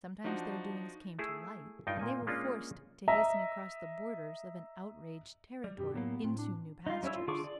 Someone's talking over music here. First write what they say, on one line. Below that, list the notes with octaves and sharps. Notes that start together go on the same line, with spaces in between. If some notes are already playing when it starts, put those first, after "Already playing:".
Sometimes their doings came to light, and they were forced to hasten across the borders of an outraged territory into new pastures.
F3 D4 D#4 F#4
A3 E4 G#4
G2 D#4 F4 G5
A#2 A#3 G#5
G#3 A#3 C#4 D4 F4
D#5 E5 A#5
G3
F#2 B2 G4
A2 F#3 A#3 B3
A2 C4
D4
D#4 F4
G3 C#4 E4 C#5 E6
F4
D3 F4 G#4 C#6 D6
D5